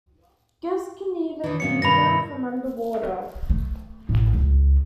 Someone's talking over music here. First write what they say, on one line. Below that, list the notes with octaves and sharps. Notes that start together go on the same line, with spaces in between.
Guests can even view them from underwater.
D#3 E3
F#2 A#2 D#3 C#7
G2 C3 D#3 B5 A#6
A3
A1
C#2